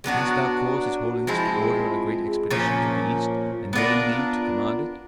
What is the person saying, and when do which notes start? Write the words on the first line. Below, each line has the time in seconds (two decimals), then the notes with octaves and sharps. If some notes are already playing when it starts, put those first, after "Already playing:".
Canst thou cause his holiness to order a great expedition to the East and name me to command it?
0.04 F#3 B3 D4 F#4
1.27 F3 G#3 C4 E4
2.50 A#2 F3 A#3 C#4
3.73 B3 D4 F4 A#4